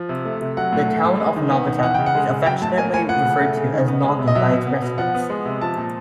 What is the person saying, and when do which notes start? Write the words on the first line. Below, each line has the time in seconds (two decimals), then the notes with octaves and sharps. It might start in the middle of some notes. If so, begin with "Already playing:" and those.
The town of Naugatuck is affectionately referred to as "Naugy" by its residents.
Already playing: F3
0.09 C3
0.25 A3
0.41 C3
0.57 F#3 F#5
0.72 A2
0.88 A3
1.04 A2
1.20 G#3
1.36 D#3
1.52 B3
1.67 D#3
1.83 E3 F#5
1.94 C#3 G5
2.06 F#5
2.15 G#3
2.30 C#3
2.46 F#3 G5
2.62 A2 A5
2.78 A#3 G#5
2.94 A2 G#5
3.09 F3 F#5
3.25 C#3
3.41 A3
3.57 C#3
3.73 D#3
3.88 B3
4.04 G#3
4.19 C3
4.27 D#5
4.35 F#3 E5
4.51 B2
4.67 B3
4.82 B2
4.98 F3 F#5
5.15 B3
5.30 G#3
5.46 C3
5.61 F3 A5
5.77 A#2